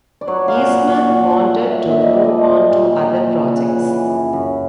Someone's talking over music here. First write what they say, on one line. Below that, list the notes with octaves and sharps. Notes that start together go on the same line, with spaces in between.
Eastman wanted to move on to other projects.
D5
F#3 C#5
F5
A#2
F#5
F#3
F#5
A#2 F5
F#5
A#2
F5
A#2
E5
A#2 E5
D#5
F3 D5
D#5
A#2
A#2
F3
F3
C#3 F#5
E3
F#2
F#2